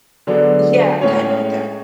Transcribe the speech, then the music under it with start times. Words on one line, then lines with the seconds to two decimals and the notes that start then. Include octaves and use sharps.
Yeah. Kinda like that.
0.27 D3 F#3 B3 D4 G#4
1.01 A2 G#3 C#4 G#4 C#5